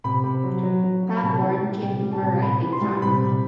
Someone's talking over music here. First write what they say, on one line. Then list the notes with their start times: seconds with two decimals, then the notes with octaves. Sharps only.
Pangborn came from a writing family.
0.04 C3 B5
0.24 C3
0.44 F#3
0.63 F#3
0.84 F#3
1.03 F#3
1.17 B5
1.23 C3 A5
1.42 E3
1.63 G3
1.82 C3 G5
2.03 G3
2.12 A5
2.22 C3
2.42 C3 B5
2.62 E3
2.72 C6
2.81 G3
3.02 C3 B5
3.22 C3